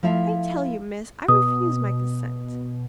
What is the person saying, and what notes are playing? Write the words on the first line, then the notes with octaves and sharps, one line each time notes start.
I tell you, miss, I refuse my consent.
F3 A3 E4 F5
B2 D#6